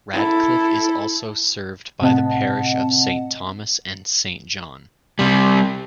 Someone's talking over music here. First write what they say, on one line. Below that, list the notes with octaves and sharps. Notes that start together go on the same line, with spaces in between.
Radcliffe is also served by the Parish of Saint Thomas and Saint John.
E4 A4
A2 C3 C4 D#5 F#5 A5
C3 G3